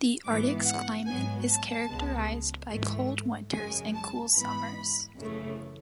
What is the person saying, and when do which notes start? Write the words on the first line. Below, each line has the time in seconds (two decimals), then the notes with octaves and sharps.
The Arctic's climate is characterized by cold winters and cool summers.
0.24 G#2 E3 B3 D6
0.65 F#5
1.06 G#2 F#3 B3 G#5
1.48 A5
1.88 C#2 C#3 G#3 B3
2.70 G#2 E3 A3
3.52 F#2 C#3 G#3 G#5
3.94 A5
4.34 G#2 E3 B3 B5
5.17 F#2 C#3 E3 A3